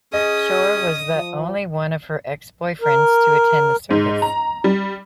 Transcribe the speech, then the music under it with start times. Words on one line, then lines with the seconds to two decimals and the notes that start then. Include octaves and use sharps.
Shore was the only one of her ex-boyfriends to attend the service.
0.13 C#4 G#4 D#5 D#6
1.15 F3
2.81 A#4
3.91 G#2
4.22 A#5
4.64 G3